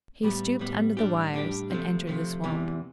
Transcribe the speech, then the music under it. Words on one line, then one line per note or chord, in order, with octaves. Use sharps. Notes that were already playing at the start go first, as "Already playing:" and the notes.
He stooped under the wires and entered the swamp.
A2 G3 B3
A2 G3 B3
A2 G3 D4 G4
A2 G3 D4 G4
C3 F3 A3
C3 F3 A3
E2 C3 E3